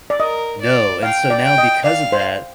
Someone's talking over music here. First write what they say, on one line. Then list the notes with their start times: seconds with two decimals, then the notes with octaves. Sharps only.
No, and so now because of that,
0.10 D5
0.20 A#4 D#5
0.62 D5
1.03 F5 G5
1.30 D5
1.44 G5
1.58 D#5
1.84 D5 F5
2.12 C5